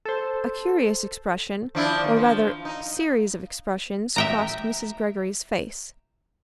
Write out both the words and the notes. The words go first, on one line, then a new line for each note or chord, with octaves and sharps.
A curious expression, or rather, series of expressions crossed Mrs. Greggory's face.
A4 C5
F3 D4 E4
D#3
F3
D#4
E5 G5 A#5